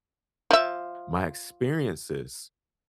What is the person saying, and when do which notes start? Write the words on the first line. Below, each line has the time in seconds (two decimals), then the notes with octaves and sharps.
my experiences
0.51 F3 E5